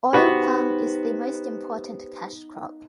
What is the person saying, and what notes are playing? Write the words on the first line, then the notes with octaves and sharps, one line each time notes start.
Oil palm is the most important cash crop.
B3 D#4 F#4 G4 B4 C5 B5 D6